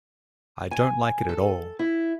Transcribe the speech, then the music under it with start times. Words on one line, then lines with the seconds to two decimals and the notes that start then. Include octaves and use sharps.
I don't like it at all.
0.71 G#5
1.29 A4
1.79 E4